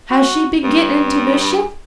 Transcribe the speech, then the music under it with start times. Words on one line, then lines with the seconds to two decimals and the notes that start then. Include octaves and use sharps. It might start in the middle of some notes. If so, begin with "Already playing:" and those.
Has she been gettin' into mischief?
0.11 F#4
0.63 G2